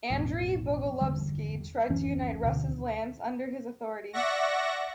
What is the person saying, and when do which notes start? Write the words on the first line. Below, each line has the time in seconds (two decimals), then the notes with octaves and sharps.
Andrey Bogolyubsky tried to unite Rus' lands under his authority.
0.10 A1 F2 B2
1.01 G1 E2 D3 G3
1.89 D1 F#2 E3 C#4
2.43 D2 B2 D3
4.13 D5 E5 F#5 C#6 A#6